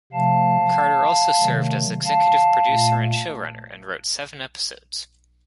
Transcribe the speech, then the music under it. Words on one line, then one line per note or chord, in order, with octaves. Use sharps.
Carter also served as executive producer and showrunner and wrote seven episodes.
C3 F3 A3 F5 A5
C3 D#3 F#3 A3
F5 A5
A#2 A3